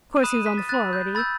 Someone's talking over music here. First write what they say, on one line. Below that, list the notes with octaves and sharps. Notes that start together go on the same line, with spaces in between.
Of course he was on the floor already.
D#7
B5 D#6 F#6 E7
D#7
B6
A6
B5 F#6 A6
G6
B5 E6 G6 A6